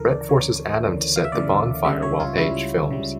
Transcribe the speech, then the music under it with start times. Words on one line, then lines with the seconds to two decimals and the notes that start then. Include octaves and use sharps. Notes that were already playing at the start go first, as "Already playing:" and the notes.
Brett forces Adam to set the bonfire while Paige films.
Already playing: D2 C#3 E3 A4 A#4
0.11 D5
0.29 D2 C#3 E3 C#5
0.81 D2 C#3 E3
1.16 F5
1.24 E5
1.32 D2 C#3 E3 D5
1.85 C#2 C#3 G3 E5
2.02 C#5
2.20 F4
2.37 C#2 C#3 G3 E4
2.89 C#2 C#3 G3